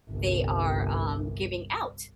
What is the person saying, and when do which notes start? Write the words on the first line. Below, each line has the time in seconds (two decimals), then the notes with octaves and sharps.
they are, um, giving out,
0.10 G1 C2